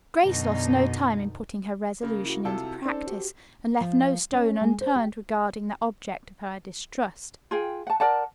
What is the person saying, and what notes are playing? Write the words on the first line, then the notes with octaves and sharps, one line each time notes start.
Grace lost no time in putting her resolution into practice, and left no stone unturned regarding the object of her distrust.
F#2 B2 D3 D#4
C#3 A#3
E4 F#4
C3 F4 A4
C4 C#4 D#4 A4 D5
F#4 G4
F3
C#4
G#3
C5
G4
F4 G#4 G5
F#5 A5
A#4 D5 F#5 A5